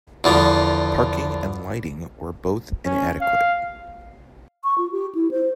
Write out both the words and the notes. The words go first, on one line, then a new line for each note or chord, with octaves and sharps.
Parking and lighting were both inadequate.
E2 D3 F3
C#4
F5
C#6
F4
G4
E4
C5